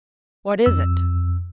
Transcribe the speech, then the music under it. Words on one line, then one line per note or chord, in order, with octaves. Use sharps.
"What is it?"
F2 E6